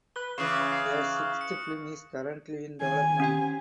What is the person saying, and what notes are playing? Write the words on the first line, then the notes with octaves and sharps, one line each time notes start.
A sixth film is currently in development.
B4 G7
C#3 E3 F5 C#6 D#6 F#6
F5
C#7
D#3 C5 G#5
C#4 G4 G5